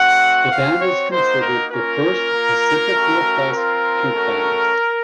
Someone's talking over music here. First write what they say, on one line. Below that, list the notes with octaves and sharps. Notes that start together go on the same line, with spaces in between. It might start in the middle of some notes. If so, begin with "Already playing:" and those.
The band is considered the first Pacific Northwest punk band.
Already playing: A3 C4 F#4 F#5
C4 F#4 F5
C#5
A#3 D#4 F#4 C5
A#4
A#3 C#4 F4 A#4
A#3 F4
A3 C#4 F#4
C4 F4 A#4
A3 C#4 F#4